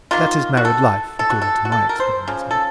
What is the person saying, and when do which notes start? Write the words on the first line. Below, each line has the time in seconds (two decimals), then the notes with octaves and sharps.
That is married life, according to my experience of it.
0.11 D#3 A#3 F4
0.57 F#4
0.65 A4
1.19 A4
1.30 F#4
1.42 A4
1.65 F#4
1.72 A4
1.89 A#4
2.00 C5
2.28 C#3 F3
2.51 A4